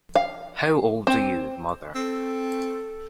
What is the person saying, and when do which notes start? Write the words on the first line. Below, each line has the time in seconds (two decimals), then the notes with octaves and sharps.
How old are you, mother.
0.15 F5
1.07 C4
1.95 C4 A4